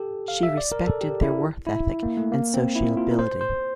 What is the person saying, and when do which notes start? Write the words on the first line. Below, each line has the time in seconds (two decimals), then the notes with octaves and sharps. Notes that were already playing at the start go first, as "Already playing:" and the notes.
She respected their work ethic and sociability.
Already playing: G4 A4
0.28 F5
0.43 E5
0.58 D5
0.72 A#4
0.87 A4
1.01 G4
1.23 E4
1.67 E4
2.03 A#3
2.17 A3
2.32 A#3
2.54 C4
2.75 E4
2.97 F4
3.11 A#4
3.19 C5
3.41 C5